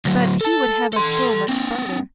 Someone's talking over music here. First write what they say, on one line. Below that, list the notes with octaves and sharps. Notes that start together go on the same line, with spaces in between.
But he would have us go much further.
D2 F#3
A4 A5
A4 C6
A#3 C4